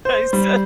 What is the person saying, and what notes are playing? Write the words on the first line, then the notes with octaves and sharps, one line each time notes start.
I said,
C5
G3